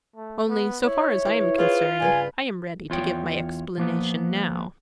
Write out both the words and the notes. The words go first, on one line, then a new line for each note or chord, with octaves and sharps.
Only, so far as I am concerned, I am ready to give my explanation now.
A3
B3
E4 C#5
E3
F4 G#4 B4 C5
G2 C#3 B4 G#5
E2 F4 C#5 G5
F3 A#3 B3